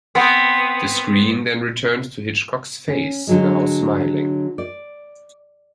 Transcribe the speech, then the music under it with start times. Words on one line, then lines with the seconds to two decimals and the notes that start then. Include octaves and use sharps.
The screen then returns to Hitchcock's face, now smiling.
0.15 B3 C4
2.88 C#4
3.27 D3 F#3 G#3
4.58 D5